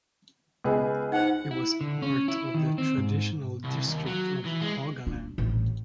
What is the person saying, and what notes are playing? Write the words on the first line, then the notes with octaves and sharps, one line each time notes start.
It was part of the traditional district of Haugaland.
C#2 B3 G#4
D#4 C5 F#5
E4
D3
C#4
E4
D#3
C4
G#2
C2
D#2
F#3
E3
G#3
D4
A1